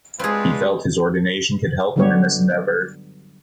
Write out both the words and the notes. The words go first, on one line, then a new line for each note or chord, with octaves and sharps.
He felt his ordination could help him in this endeavor.
G#3 C4 D4 F4 G#4 B4
D3 F#3 G3 B3 G4 C#5